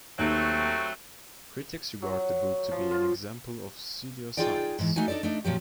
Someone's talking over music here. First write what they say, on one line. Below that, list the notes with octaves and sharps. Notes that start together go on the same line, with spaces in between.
Critics regard the book to be an example of pseudoscience.
D#2 F#3 A3 C4
F#3
F3
F4
D#4 F4 G#4 D5 G5
G#2 E3
A3 D#4 F#4 G#5
D4 D#4 G4 A4 D5
A3 D4 D#4
A#2 F3 F#3 G4